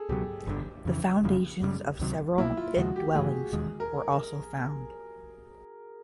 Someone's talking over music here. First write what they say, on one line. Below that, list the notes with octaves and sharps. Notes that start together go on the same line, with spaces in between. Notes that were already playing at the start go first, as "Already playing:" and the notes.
The foundations of several pit dwellings were also found.
Already playing: G#4 A4
C#2 B2 F#3 G4
G1 G2 D3
F2 C#3 E3
F1 F2 C#3 F3
F#2 C#3 E3 G3
C#2 C3 D#3 F#3
C2 B2 F#3 A#3 E4
F4
D#2 C#3 F3 G#3 F#4
G4
G2 E3 A3 G#4
E1 D#2 D#3 G#3
A#4